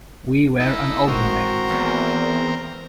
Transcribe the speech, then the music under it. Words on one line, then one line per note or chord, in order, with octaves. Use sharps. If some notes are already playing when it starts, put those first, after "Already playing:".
We were an album band.
D#4 E4 A4
G#1 A2 C4 F#4 A#4
E2 A#3